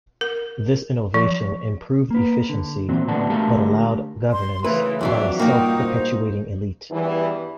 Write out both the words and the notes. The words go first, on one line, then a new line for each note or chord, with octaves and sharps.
This innovation improved efficiency, but allowed governance by a self-perpetuating elite.
A#4
F3
A#3 B4
D3
A#2 E3 C4 F#4
A2 D3 B3 F#4 D5 A5
D3 A3 G4 A#4 F5 A5
C6
C#3 E3 A3 E4 B4
F2 E3 F#3 D4 E5
G2 A#2 A#3 D#4 F#4 G5
C5
E2 G2 E3